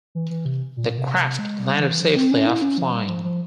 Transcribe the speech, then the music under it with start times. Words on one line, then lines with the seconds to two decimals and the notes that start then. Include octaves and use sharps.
The craft landed safely after flying.
0.15 E3
0.30 E3
0.45 C3
0.77 A#2
0.98 C3
1.18 C3
1.39 G#3
1.59 G3
1.80 E3
2.01 F3
2.16 C4
2.31 C#4
2.46 E4
2.62 C#4
2.78 F3
2.93 G3
3.09 F3
3.24 F3